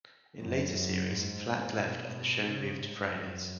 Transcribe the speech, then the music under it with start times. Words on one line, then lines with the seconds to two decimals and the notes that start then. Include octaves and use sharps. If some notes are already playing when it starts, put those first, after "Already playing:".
In later series, Flack left and the show moved to Fridays.
0.41 F#2
1.09 G#2
1.77 B2
2.46 C#3
2.81 G#2
3.15 F#2